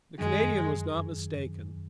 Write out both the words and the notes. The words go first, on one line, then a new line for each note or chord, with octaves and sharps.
The Canadian was not mistaken.
F#2 D#3 F#3 G#3 D4